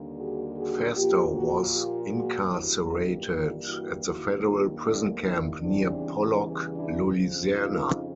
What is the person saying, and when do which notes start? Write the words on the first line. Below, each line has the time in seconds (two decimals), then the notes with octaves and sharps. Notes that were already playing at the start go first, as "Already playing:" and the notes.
Fastow was incarcerated at the Federal Prison Camp near Pollock, Louisiana.
Already playing: D#2 D3 G3 A#3
0.18 F#4 G#4
0.57 F#4 G#4
0.96 A#2 F3 A#3 F4 G4
1.35 F#4 G#4
1.73 F4 G4
2.12 F#4 G#4
2.51 G2 E3 G3 A#3 E4 F#4
2.89 D#4 F4
3.28 D#4 F4
3.67 E4 F#4
4.05 D#2 D#3 G3 A#3 E4 F#4
4.44 D#4 F4
4.83 D4 E4
5.22 D4 E4
5.60 E2 C#3 E3 G3 C4 D4
6.76 D4 E4
7.15 F2 C#3 F3
7.54 D#4 F4